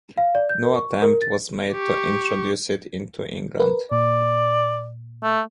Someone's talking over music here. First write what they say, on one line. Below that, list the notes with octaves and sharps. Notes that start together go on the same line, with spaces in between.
No attempt was made to introduce it into England.
F5
D5
G6
A#4
C#6
A#4
A6
G4 C#6
A#4 B4
A#2 D5
A3